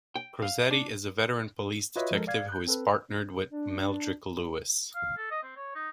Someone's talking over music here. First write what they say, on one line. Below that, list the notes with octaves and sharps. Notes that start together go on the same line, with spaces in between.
Crosetti is a veteran police detective who is partnered with Meldrick Lewis.
G5
F5
D4
F4 F#4 B4 C#5 D#5 E5
F3 G#3 A4 A#4
D5 F5 G#6
F#6 G6
C4 A4 B4
D4
F5
A4
D#5
C4
C#5
D#4